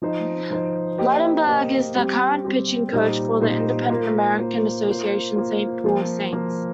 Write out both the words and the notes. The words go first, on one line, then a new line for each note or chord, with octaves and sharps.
Ligtenberg is the current pitching coach for the independent American Association's Saint Paul Saints.
F3 D#4 C5 D#5
F3 D#4 C5 D#5
A#3 G4 C5 D#5
A#3 G4 C5 D#5
G3 C4 G4
G3 C4 G4
A#2 G3 D#4 C5 D#5
A#2 G3 D#4 C5 D#5
A#3 F4 C5
A#3 F4 C5
A#3 F4 C5
A#3 F4 C5
F3 A#3 F4 C5
F3 A#3 F4 C5